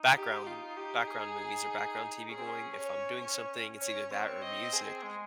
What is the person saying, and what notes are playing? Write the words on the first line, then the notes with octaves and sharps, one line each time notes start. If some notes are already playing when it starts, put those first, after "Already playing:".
background background movies, or background TV going, if I'm doing something, it's either that or music.
Already playing: D#4
G4
F4
G4
G#4
C#4 G#4
C4
C#4
C#5
C#5
C#5
C4 C#5
D#5
G#4
G#3